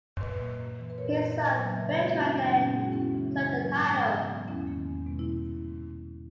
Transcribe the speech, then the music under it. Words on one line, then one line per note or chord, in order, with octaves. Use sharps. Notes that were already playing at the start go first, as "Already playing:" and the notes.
His son, Bertrand, then took the title.
A#2 B4 D#5
A#3
F#2
E3 A#3
B4
A#2 A#4 C#5
A#3
A#2
F#3 A#3
E5
C#3 B4 D#5
C#5 E5
G#3 B3
D#4 F#4
F#2 C#4 E4
C#3 F#3 A#3 B3 D#4
B3
A#2 C#4
G#3 B3 G#4
F#4
F#2 C#4 E4
C#3 E3 G#3
C#3
F#3 A#3
G#2
E3 G#3 B3
C#3
F#3 B3
E2 C#4 E4
D#3 A#3
E2
B2 G#3 B3
E4